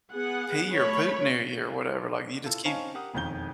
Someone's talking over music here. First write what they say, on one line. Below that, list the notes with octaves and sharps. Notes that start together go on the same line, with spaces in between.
pee or poop near you or whatever?" Like, you just keep
B3 G#4 F#5
A3 C#5 B5
E4 F4 A4
C4 C#4 D#4 F5 G#5 A5
G4 A#4 F#5 D#6
E1 F2 D#3 G6 G7